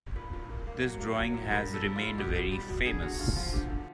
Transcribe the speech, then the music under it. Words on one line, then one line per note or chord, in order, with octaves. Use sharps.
This drawing has remained very famous.
A#2 B4
A#2
A#3
A#3
F#3
A#3
F#3
A#2
G3 A#4
G3
A4
G3
F4
G3
B2 G4
B2
G3
B2
D3 G#4
D3 F#4
D3 F4
F3 F4
D3 G4
D3